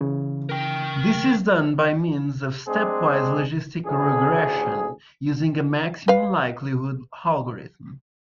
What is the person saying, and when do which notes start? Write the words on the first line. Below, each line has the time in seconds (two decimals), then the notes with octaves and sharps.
This is done by means of stepwise logistic regression, using a maximum likelihood algorithm.
0.01 C#3 E3
0.49 A#4 G5
2.67 G#3 C4 D4 G#4
3.84 A1 D2 G#4
6.08 B4 F5